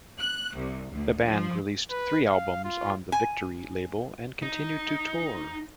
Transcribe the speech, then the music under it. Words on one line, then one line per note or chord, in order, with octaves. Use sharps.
The band released three albums on the Victory label and continued to tour.
F#6
C2
D2
F3
B4
F5
F4
G#5
D#4